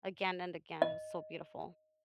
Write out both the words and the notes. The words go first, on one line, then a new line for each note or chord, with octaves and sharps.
again and again. it was so beautiful.
D#5